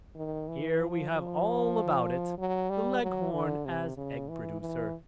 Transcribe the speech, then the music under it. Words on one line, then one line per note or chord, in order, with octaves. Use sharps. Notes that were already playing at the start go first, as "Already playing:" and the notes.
Here we have all about it: 'The Leghorn as egg-producer.
D#3
E3
F3
F3
F#3
G3
F#3
D3
C3
C#3
E3
E3